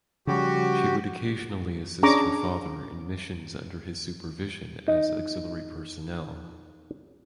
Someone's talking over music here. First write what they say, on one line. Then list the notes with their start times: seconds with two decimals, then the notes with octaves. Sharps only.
She would occasionally assist her father in missions under his supervision as auxiliary personnel.
0.27 C#3 F3 G3 F#4 G4
2.03 C#4 D4 G#4 A#5 C#6 D6
4.88 D#4 D#5